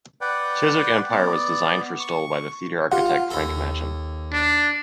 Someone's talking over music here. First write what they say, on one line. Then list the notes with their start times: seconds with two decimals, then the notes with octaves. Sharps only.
Chiswick Empire was designed for Stoll by the theatre architect Frank Matcham.
0.21 B4 D5 F#5 G5
1.10 B3 D5
2.00 C#6
2.92 F4 G4 F#5
3.31 D#2 A4
4.32 D4